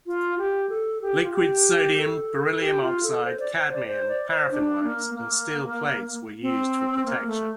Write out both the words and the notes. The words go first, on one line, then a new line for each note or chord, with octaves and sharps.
Liquid sodium, beryllium oxide, cadmium, paraffin wax and steel plates were used for protection.
F4
G4
A4
G4
F4
G4
A4
G4
F4
A4
C5
D5
C5
D5
C5
D5
C5
D4
A#3
A#3
C4
A#3
A3